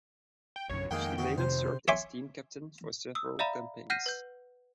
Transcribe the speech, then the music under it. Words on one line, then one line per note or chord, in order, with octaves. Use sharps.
She later served as team captain for several campaigns.
G5
A#1 F#2 C#3 C#5
F2 D#3 G#3 A#3 F#5 G5
D2 F#4
C3 C5
C#5 E5 G#5 C6 D6
D#6 E6
D5 E5 F5 A#5 B5
F#5 F6 G6 A#6 C7 D#7
B4 G6